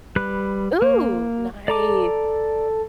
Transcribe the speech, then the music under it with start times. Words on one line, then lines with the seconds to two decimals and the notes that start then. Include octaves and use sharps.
Ooh, nice.
0.16 G3 B4 F#6
0.82 A#3
1.68 A4 D5 A#5 D6